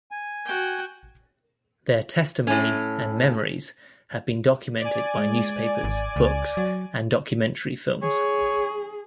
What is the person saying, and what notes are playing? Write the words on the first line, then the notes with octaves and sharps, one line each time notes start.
Their testimony and memories have been documented by newspapers, books, and documentary films.
G#5
F#4 G5
A2 C#4
D5 G#5
G#3
G#1
C#2
F#3
G#4 C#5